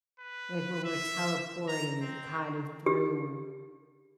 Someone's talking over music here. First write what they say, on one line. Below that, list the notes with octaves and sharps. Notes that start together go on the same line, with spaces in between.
Like, where we're teleporting kind of through
B4
E5
A#5
C4
G4